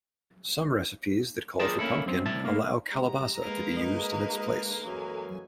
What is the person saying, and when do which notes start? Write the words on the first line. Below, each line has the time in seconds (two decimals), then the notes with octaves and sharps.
Some recipes that call for pumpkin allow calabaza to be used in its place.
1.60 F4 G#4 A#4 C5 D5 A5
1.79 A#3 C#4 E4 A4
2.06 F#2 C4
2.26 C2 E4 A5
2.45 A2 A#3
2.91 G#3 G4 A#5
3.42 D3 G#3 A#3 D#4 B4
3.75 F#4 G#4 D#5
4.85 F#2 E3 G#3 A4 G#5